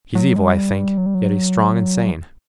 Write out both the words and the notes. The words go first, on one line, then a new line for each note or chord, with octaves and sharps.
"He's evil, I think, yet he's strong and sane."
F#3
G#3
G3
F#3
G3
F#3